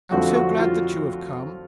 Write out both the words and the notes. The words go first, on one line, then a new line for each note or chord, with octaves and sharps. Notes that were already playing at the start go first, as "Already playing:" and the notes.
'I am so glad that you have come.'
F2 D3 F3 A3 C4 F#4
F#4
F4